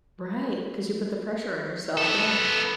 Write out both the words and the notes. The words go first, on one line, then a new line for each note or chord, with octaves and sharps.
Right, 'cause you put the pressure on yourself, yeah.
B3 A4